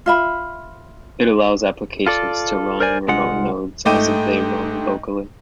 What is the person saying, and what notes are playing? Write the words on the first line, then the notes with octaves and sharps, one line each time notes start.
It allows applications to run in remote nodes as if they run locally.
F4 E5 B5
F4 A4 D5
A#4 C5 D5 G#5
C2 G#3 F4 F#5
G#2 A3 D#5 G5 D6 D#7